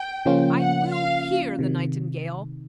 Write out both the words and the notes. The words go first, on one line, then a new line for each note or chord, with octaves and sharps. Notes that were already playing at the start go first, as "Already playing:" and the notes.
I will hear the Nightingale!
Already playing: G5
C#3 F3 A#3 C#4 F4
F#5
F5
C3 D#3